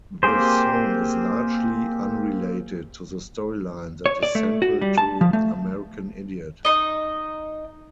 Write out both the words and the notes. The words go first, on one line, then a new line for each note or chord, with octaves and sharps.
The song is largely unrelated to the storyline that is central to "American Idiot".
A#3 C4 G4 G#4 C5
C#5
D5
A3
F#4
G3
A5
F3
A3
D#4 D#5